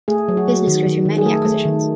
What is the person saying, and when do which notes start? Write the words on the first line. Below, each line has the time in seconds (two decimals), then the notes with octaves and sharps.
Business grew through many acquisitions.
0.08 A3 G#4
0.28 F#3
0.37 F#4
0.48 F#3
0.67 D#3
0.86 D#3
1.05 D#3
1.18 G#4
1.25 A3 A4
1.45 A3
1.65 D#3